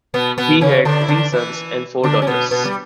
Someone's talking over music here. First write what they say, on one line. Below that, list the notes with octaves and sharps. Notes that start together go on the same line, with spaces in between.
He had three sons and four daughters.
B2 B3
B2 B3
C#3 C#4
D3 D4
E4
D3 D4
E3 E4
D3 D4
C#4
B2 B3
B2 B3
G3